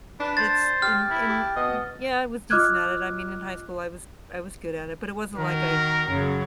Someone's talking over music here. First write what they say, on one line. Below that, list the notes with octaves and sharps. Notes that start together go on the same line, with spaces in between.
It's in in Y yeah, I was decent at it, I mean in high school I was I was good at it, but it wasn't like I,
D4 B4
C5 A6
G4 F6
E4
G4
B2 D#5
F4 D#5 D6 F6 F#6 G#6
D#3 F#4 A#4
F#2 C#3 F#3